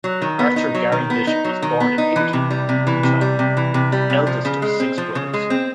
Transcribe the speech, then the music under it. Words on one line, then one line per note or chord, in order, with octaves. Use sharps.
Arthur Gary Bishop was born in Hinckley, Utah, the eldest of six brothers.
F#3
D#3
B3
D#4
F#3
D#3
B3
D#4
F#3
D#3
B3
D#4
E3
C3
G3
C3
E3
C3
G3
C3
E3
C3
G3
C3
F3
C#3
G#3
C4
F3
C#3
G#3
C4